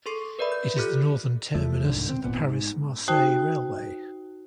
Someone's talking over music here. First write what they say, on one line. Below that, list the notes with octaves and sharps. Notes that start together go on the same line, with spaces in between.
It is the northern terminus of the Paris-Marseille railway.
G#4 A4 C6 C#6 C7
A#4 B4 D5 E5 B5
G6
F4 G4 A4 F6 F#6
E2 F3 A3
C2 G#2 D3
C4
G#1 D#2 A#2 B3
G#2
D#4 F#4 C5 G5 A5